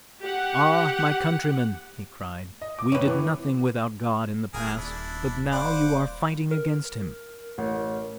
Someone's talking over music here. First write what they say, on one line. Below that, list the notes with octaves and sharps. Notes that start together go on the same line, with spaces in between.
'Ah, my countrymen,' he cried, 'we did nothing without God in the past, but now you are fighting against Him.
G4 F#5
D#5
D6
C3 B4 C#5
E3 B3 D6
D#1 G#4 A#4 G#5
D4 E4
C5 D5 F5 F#5 B5 D6
A#4
A1